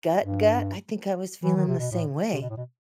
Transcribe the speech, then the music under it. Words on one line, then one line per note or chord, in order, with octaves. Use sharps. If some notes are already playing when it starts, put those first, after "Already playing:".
gut, gut, I think I was feeling the same way.
G2
E3
D#3
C3
B2
A2
C3
B2
A2
B2